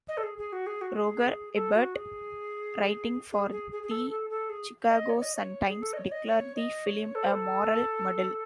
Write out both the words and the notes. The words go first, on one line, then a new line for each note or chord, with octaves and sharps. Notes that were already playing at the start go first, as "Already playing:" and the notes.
Roger Ebert, writing for the "Chicago Sun-Times", declared the film a "moral muddle".
D#5
A4
G#4
G#4
F#4
G#4
F#4
G#4
A4
F#4
G#4
G#4
G#4
G#4
G#4
A4
A4
A4
G#4
D#5
C#5
D#5
C#5
G#4
A4
D#5
C#5
D#5
C#5
D#5
C#5
A4
C5
A4